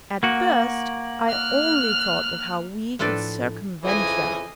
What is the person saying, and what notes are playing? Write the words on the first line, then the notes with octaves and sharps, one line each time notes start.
At first, I only thought of how we could circumvent yah.
A#3 F#4
F6 F#6
A2 F3 D4 A4 B4 D5
F2 C#3 E3 D#5 G#5